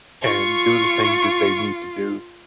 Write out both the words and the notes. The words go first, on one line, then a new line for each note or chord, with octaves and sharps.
and do the things that they need to do,
F4 C#6